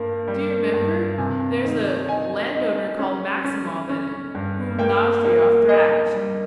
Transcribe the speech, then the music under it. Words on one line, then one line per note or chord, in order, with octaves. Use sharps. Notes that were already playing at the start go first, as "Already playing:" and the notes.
Do you remember, there's a landowner called Maximov in it, whom Nozdryov thrashed.
Already playing: G2 A#3
G3
G2
C3 G#5
D#3
D#4 G#5
D#4
C#4
C#4
C#4
G2
A#3 G5
A#3
A#3 D#5
G3